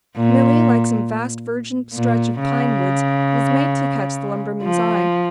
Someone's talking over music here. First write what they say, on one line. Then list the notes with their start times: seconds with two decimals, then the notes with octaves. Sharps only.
Milly, like some vast virgin stretch of pine woods, was made to catch the lumberman's eye.
0.16 A#2
1.95 A#2
2.39 C#3
4.63 F3